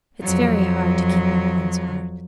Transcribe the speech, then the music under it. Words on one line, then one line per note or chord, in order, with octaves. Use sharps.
It's very hard to keep up one's heart.
F2 F#3